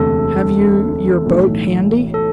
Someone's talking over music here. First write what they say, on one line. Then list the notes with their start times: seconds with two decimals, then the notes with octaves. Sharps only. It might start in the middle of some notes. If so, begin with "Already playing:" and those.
"Have you your boat handy?"
Already playing: E1 D2 C3 A4
1.26 B1 A2 E3
2.14 A4